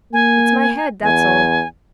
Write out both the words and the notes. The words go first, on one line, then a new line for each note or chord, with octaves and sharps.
It's my head, that's all.
A#3 G#5
E2 G#5